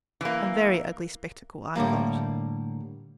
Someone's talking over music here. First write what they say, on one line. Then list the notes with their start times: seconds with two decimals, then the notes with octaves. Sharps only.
A very ugly spectacle, I thought.
0.21 E3 A#3
1.75 A2 D3 G3 A#3